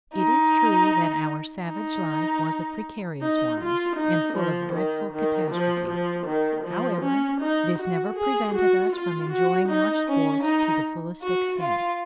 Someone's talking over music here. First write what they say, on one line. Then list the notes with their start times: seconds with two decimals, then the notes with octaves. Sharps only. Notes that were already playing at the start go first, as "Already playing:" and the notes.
It is true that our savage life was a precarious one, and full of dreadful catastrophes; however, this never prevented us from enjoying our sports to the fullest extent.
0.15 D#4
1.68 D#4
3.20 D#4
3.58 F4
3.96 D#4
4.34 F3
4.73 D#3
5.11 D#3
5.49 F3
5.87 F3
6.25 D#3
6.64 F3
7.01 C#4
7.39 D#4
7.78 F#4
8.16 G#4
8.54 F#4
8.91 F4
9.30 F#4
9.68 D#4
10.07 C#4
10.44 D#4
11.21 F#4
11.59 F4